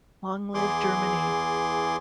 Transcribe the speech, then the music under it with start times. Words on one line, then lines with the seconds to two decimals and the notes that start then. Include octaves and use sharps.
Long live Germany!
0.54 E2 E3 G#4 C6 D6